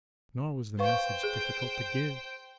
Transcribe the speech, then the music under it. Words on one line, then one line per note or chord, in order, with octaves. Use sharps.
Nor was the message difficult to give.
B4 C5 F5 G5 C#6
G#4